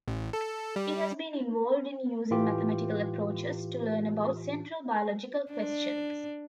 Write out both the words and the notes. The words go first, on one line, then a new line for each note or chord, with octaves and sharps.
He has been involved in using mathematical approaches to learn about central biological questions.
A1
A4
G3
A2 E3 F4 G4
D4